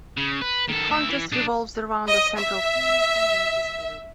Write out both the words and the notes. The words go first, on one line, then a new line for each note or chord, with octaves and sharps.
The contest revolves around a central theme of community spirit.
C#3
B4
D#3 A4
D2 E5
E3
D4 G#4
D#5
E5